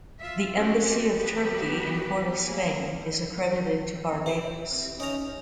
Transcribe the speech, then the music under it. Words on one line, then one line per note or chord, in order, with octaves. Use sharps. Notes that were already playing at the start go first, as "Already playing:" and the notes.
The Embassy of Turkey in Port of Spain is accredited to Barbados.
F4 E5
G#3 A3 C4 C#4 F#4 G4
E3 F#3 B3 G4 B4
A#3 G#4
E4
C#4 D#4 A#5